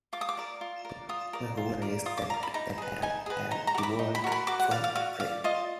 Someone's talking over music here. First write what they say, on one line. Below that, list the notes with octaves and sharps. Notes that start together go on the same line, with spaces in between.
The Hoots are a race that have evolved from prey.
F4 D6
D#6
D6
A#4 D5
F4
A#4 D5
F4 D#6
A#4 D5
F4
A#4 D5
F4 D#6
D6
A#4 D5 A#5
B5
D#4 A#5
G#4 B4
D#4 G#5
G#4 B4
D#4 A#5
A#5
F#4
A#4 D6
B5
D#4
B5
F#4 A#4
B5
F#4 D6
F#5
D5 F5
F5
F#4 F5
D5 F5
F4 D#5